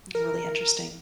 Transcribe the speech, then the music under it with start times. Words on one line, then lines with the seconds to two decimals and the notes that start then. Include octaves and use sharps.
really interesting.
0.15 A#4